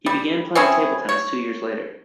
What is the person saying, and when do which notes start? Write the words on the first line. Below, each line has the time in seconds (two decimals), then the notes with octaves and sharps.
He began playing table tennis two years later.
0.06 G3
0.55 C4 C#4 E4 G#4
1.09 C#5